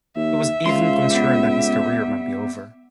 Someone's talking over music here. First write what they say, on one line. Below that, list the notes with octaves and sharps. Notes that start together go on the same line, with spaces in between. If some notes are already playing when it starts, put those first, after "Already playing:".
He was even concerned that his career might be over.
D#2 E5
C#2 F5 C6
G3 B3